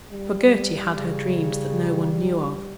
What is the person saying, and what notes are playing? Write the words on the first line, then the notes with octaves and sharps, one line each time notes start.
For Gerty had her dreams that no-one knew of.
G3
C#3